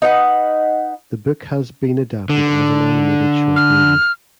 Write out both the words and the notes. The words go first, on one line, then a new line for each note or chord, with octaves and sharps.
The book has been adapted as an animated short movie.
D#4 B4 F#5
D3
F6